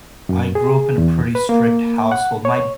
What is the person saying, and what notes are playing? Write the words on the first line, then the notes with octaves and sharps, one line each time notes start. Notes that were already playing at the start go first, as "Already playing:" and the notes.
I grew up in a pretty strict household, my
F#2
G#4
E2
B4
A#3
F#5
C#5